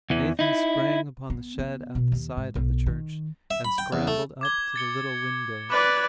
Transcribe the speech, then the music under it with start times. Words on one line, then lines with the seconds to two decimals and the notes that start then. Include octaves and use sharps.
Nathan sprang upon the shed at the side of the church, and scrambled up to the little window.
0.10 E2 E3
0.39 D#4 E4
1.30 B3
1.59 B3
1.95 B2
2.12 D#2
2.37 G#2
2.55 B1
2.86 D#3
3.51 E5
3.65 B5
3.78 G5
3.93 E2
4.07 A3
4.41 D6 G#6 G7
4.76 A6 C#7 G7
5.70 B4 D5 D6 F#6 A6